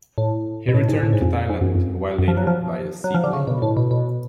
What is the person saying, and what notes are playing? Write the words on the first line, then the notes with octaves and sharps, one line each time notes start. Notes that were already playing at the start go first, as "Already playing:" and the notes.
He returned to Thailand a while later via seaplane.
A2
B2
A2
G#2
A2
G#2
F2
G#2
F#2
F2
F#2
F3
F#3
F3
F#3
F3
D3
C#3
B2
A2
B2
B2